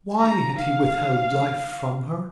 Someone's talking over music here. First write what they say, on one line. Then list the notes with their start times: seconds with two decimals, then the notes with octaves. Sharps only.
Why had he withheld life from her?
0.20 A#5
0.57 F5